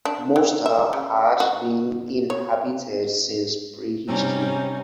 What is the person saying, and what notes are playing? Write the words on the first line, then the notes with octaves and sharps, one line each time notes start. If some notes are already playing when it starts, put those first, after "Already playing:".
Mosta has been inhabited since pre-history.
D4
E3
E5
C#3
F#4
C#5
C3 G3 C#4 D#4